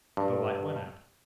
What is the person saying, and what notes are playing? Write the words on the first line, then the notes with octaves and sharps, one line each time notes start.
The light went out.
G2